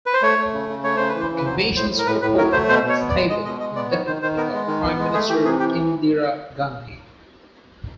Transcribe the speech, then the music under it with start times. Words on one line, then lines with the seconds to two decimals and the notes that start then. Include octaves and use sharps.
The commission's report was tabled indefinitely by Prime Minister Indira Gandhi.
0.06 B4
0.14 C5
0.22 A3 C#5
0.38 A3
0.53 C#3
0.69 C#3
0.83 A3 C#5
0.97 C#3 C5
1.09 B4
1.14 E3
1.20 C5
1.30 C#3
1.37 B4
1.45 F#3 C5
1.60 A2
1.76 A2 C5
1.91 A2
1.99 A#4
2.06 A2 B4
2.22 A2 B4
2.37 F#3 A#4
2.52 A3 C5
2.68 B2 C5
2.84 B2
2.89 C#5
2.99 B3
3.09 D5
3.15 G#3
3.30 G#3 D#5
3.45 B2 D#5
3.60 G#3 D#5
3.75 B3 D5
3.91 D#3 C#5
4.06 D#3 C5
4.22 D#3 C5
4.37 B3 A#4
4.53 G#3
4.67 D#3
4.84 B3
4.99 G#3
5.14 A3 G#4
5.29 E3 G4
5.44 C3 G#4
5.60 E3 G4